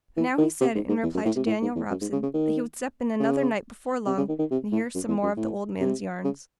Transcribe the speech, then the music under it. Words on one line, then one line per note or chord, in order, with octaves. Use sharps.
But now he said, in reply to Daniel Robson, that he would step in another night before long and hear some more of the old man's yarns.
E3
D#3
C3
G#2
G#2
E2
F#2
A2
C3
A2
G#2
E2
F#2
G#2
C#3
C#3
D#3
C#3
C3
C#3
D#3
D#3
C3
A2
F#2
E2
F#2
A2
C3
C#3